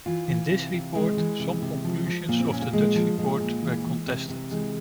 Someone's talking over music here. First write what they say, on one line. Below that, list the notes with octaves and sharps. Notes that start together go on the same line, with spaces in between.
In this report some conclusions of the Dutch report were contested.
E3 F4
E3
C3
C3
E3 G#3
E3
C3
C3
F3
F3
A#2 A#3
C4
A#2 C#4
A#3
F3 G#3
F3
A#2 G#3
A#2
E3
E3
C3
C3
E3 G#3